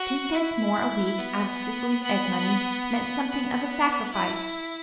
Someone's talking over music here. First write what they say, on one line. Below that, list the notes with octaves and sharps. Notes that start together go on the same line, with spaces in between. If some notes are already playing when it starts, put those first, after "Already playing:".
Two cents more a week out of Cecily's egg money, meant something of a sacrifice.
Already playing: F#4
E4
B3
B3
B3
E4